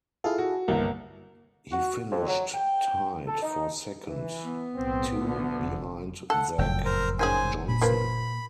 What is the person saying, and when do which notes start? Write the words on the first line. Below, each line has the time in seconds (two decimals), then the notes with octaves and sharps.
He finished tied for second, two behind Zach Johnson.
0.24 E4 F4 G#4 A4
0.38 F#4
0.68 G1 C2 A#3
1.72 F#4
2.11 F2
2.27 F#3
2.54 G5
3.26 A4
3.42 D#4
4.06 E3
4.43 B3
4.75 B1 A2 F#3 C4
5.16 D2 D3
5.63 F1
6.30 A4 F#5
6.58 F#1 F2 A2 G5 E6
6.85 A#4 C5 A#5
7.19 D#3 C#4 G#4 C5 G#5
7.68 A#2 B5
7.82 F3 A#3 B4